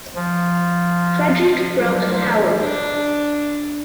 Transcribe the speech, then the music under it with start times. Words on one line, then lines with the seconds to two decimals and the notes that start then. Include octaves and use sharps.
Frederick Broke Howell.
0.15 F3
1.59 F3
1.77 F#3 G3 D4 A4 C5
2.06 F#3 A3 D4 E4 A#4 C5
2.24 E3
2.59 D4